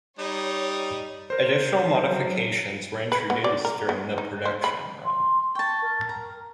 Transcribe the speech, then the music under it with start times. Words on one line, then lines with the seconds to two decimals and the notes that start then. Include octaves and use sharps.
Additional modifications were introduced during the production run.
0.19 G3 D#4 C#5
1.30 A#4 C5
2.06 F#3
3.12 B4
3.30 B3
3.44 D5
3.65 A#4
3.89 B3
4.18 D#4
4.45 C5
4.64 B5
5.05 C6
5.55 G5 A5 C#6
5.82 A#4
6.09 A#5